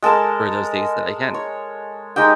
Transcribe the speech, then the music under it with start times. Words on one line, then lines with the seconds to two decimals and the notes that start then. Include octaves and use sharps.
for those days that I can.
0.03 G#3 A4 A#4 A5
1.34 C#5
2.16 G#3 D#4 G4 G5